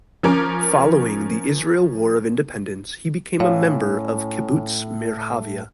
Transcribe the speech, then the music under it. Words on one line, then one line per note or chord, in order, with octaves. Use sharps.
Following the Israel War of Independence, he became a member of Kibbutz Merhavia.
F3 C#4 A#4 D6
A2 C#4 C#5 F5